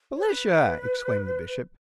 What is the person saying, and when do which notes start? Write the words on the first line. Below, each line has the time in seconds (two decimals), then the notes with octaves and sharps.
"Felicia!" exclaimed the Bishop.
0.16 C#5
0.21 B4